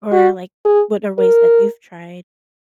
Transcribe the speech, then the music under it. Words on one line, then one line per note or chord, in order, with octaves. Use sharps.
or, like, what are ways that you've tried
F#4
G#4
A#4